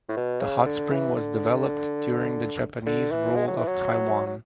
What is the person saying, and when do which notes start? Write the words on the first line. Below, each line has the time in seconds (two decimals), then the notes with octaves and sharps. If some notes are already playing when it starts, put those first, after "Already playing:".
The hot spring was developed during the Japanese rule of Taiwan.
0.09 A2
0.17 B2
0.41 C#3
0.66 D3
0.91 E3
1.15 D3
2.86 D3
3.11 E3
3.36 G#3
3.47 F#3
3.57 E3
3.67 F#3
4.26 F#3